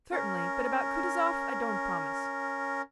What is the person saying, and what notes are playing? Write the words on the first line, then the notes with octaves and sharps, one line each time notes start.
"Certainly; but about Kutuzov, I don't promise."
C#4 A#4